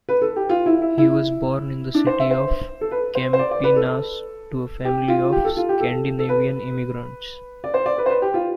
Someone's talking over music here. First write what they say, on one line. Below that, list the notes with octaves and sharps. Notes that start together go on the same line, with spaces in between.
He was born in the city of Campinas to a family of Scandinavian immigrants.
B4
A4
G4
F4
E4
E4
E4
D4
C5
E5
C5
A4
B4
C5
C5
D5
D5
B4
A4
G4
F4
G4
A4
F4
G4
A4
A4
B4
D5
C5
D5
B4
C5
B4
G4
F4